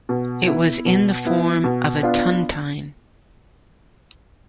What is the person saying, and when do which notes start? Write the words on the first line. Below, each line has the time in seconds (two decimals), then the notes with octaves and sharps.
It was in the form of a tontine.
0.09 B2
0.47 B3 E4
0.86 B2
1.25 B3 E4
1.64 B2
2.02 B3 D4 F4